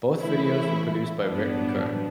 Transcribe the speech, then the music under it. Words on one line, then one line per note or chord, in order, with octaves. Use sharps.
Both videos were produced by Rick Kerr.
C#3 E3 A3 E4
A1 G2 F#3 B3 D4